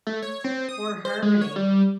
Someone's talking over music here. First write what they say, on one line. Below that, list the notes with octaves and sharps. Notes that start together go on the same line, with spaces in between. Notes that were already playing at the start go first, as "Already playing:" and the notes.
more harmony.
A3
C#5
C4
D#6
C5
G#3
C#5
G3